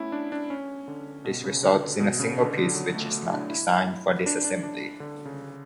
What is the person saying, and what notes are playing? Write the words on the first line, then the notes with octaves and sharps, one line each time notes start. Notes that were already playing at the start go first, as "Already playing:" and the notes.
This results in a single piece which is not designed for disassembly.
Already playing: A3 B3 C#4 E4
D4
D4
C#4
D3
B2
C#3
D3
B2
C#3
D3
D3
F#3
A3
E4
D4
E4
D4
D4
D4
D3
C#3